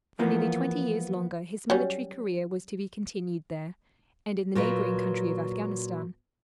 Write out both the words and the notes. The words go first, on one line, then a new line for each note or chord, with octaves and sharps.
For nearly twenty years longer his military career was to be continued there, and in the neighboring country of Afghanistan.
E3 F3 A#3 B3
F#3 G3 C#4
A#2 F#3 A#4 B4